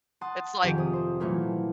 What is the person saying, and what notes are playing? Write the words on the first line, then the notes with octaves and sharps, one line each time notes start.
It's like
F#5 A5 C6 D#6
F2 C3 D#3 F3 G4 G#4
C3 D#6
C5
A#2 E3 F#3 A3 A#3 F4